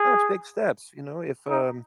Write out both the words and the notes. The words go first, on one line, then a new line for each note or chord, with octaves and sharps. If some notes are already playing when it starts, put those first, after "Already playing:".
No, it's big steps, you know? If, um
Already playing: G#4
D#4